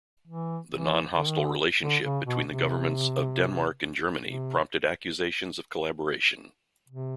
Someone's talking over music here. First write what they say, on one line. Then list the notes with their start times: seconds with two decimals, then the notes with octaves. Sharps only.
The non-hostile relationship between the governments of Denmark and Germany prompted accusations of collaboration.
0.27 E3
0.71 E3
1.15 D3
1.28 D#3
1.39 D3
1.82 D3
2.04 C#3
2.26 B2
2.48 C3
4.25 C3
6.89 C3